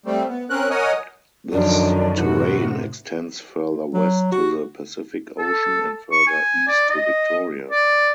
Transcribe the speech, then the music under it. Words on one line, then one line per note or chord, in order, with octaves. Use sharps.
This terrane extends further west to the Pacific Ocean and further east to Victoria.
G3 A3 C4
B3
C4 C#4 A#4 F#6
A#4 C#5 D#5 F#5 G#5 D#6
F#2 D3 D#3 F3 F#3 D4
A2 C3 E3 F#4
F#3
F#4
A4
C#6
G#5
D5
D#5
D5